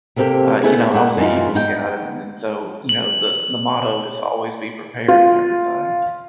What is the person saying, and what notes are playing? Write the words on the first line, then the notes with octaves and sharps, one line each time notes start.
uh, you know, I was a Eagle Scout, and and so, you know, the the motto is "Always Be Prepared." and everything.
C3 A#3 C4 F4 G4 A4
A3 B3 E4 G#4 C#5
A3 A#3 F#5
F#2 E3 G3 D#4 F4
B3 D#4 E4 G5
F#7
F4